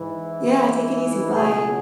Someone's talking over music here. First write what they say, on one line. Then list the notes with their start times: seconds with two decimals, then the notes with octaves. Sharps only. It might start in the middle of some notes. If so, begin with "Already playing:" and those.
Yeah, take it easy, bye.
Already playing: G#2 E3
1.33 C#2 B2 F#3 G#4